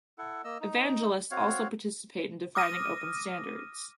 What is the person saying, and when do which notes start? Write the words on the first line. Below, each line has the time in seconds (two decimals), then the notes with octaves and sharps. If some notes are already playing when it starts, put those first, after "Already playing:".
Evangelists also participate in defining open standards.
0.18 E4 A4 F#5
0.44 A#3 D#5 E6
0.61 D#4
1.31 C4 F#4 C#5 F5
2.55 D6 D#6 F6 A#6 D#7